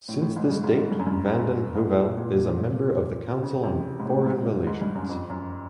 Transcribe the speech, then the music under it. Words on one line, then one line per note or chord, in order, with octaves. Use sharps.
Since this date, vanden Heuvel is a member of the Council on Foreign Relations.
A2
A2
G#2
G2
G#2
G#2
G2
F#2
G2
G#2
A#2
C#3
C3
G#2
A2
G#2
G#2
G2
F#2
F2
F#2